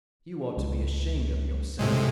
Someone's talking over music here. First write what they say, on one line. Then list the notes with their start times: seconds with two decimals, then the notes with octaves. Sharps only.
You ought to be ashamed of yourself.
0.57 C#2
1.79 A2 C3 G#3